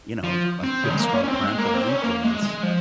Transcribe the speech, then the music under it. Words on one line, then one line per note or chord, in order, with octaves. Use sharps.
you know, a good, strong parental influence
F3
C4
C#3
G#3
A#3
C#4
C#4
C4
G#3
A#3
C4
C#4
A#3
G#3
G#3
F3